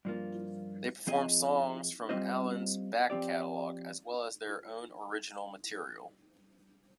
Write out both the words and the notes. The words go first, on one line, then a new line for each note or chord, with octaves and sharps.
They perform songs from Allin's back catalog as well as their own original material.
G2 F3 A#3 F4
F3 C4 F4 G#4 D#5
G3 C4 F4 C5 D#5
F3 C4 G4 D5